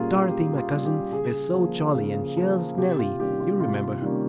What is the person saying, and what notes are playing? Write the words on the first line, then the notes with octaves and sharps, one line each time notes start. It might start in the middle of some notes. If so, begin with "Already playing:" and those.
"Dorothy, my cousin, is so jolly, and here's Nellie--you remember her?"
Already playing: A#2 G3 A#3 C#4 F4 G#4
A#2 G4
F4
G3 A#3 C#4
G4
C#3 G#4
F3 A#3
C#3
F3 A#3
C3 G4
F4
D#3 G3 A#3 C#4 G4
F4
C3 F4
D#3 G3 A#3 C#4